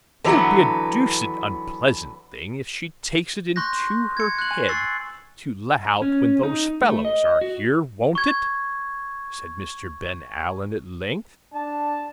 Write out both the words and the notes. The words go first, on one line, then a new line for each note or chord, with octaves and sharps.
'It'll be a deuced unpleasant thing if she takes it into her head to let out, when those fellows are here, won't it?' said Mr. Ben Allen at length.
D3 E3 F#3 B3
C6 C#6 F#6 G6 A#6
G#6 C#7
F#6 F#7
G#5
C#6 E6 A6 C7
C#4
D#4
A3
D#5
F#4
C#6 G#6
D4 A5